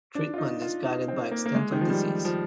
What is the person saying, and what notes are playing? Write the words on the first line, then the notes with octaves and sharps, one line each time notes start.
Treatment is guided by extent of disease.
D4
F4
D#4
F4
D#4
C4
A#3
A#3
G#3
D#3
F3
G3
F3